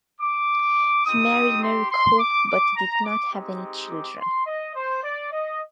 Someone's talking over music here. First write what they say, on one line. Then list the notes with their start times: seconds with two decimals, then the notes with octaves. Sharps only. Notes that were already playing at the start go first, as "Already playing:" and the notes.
He married Mary Cope but did not have any children.
0.21 D6
1.06 C4 D#4 G4 D#6
1.63 C6
1.91 C6
2.19 D6
2.48 D6
2.76 A#5
3.05 D6
3.32 G#3 C4 D#4 G4
3.89 D6
4.18 C6
4.46 D#5
4.75 C5
5.04 D5
5.32 D#5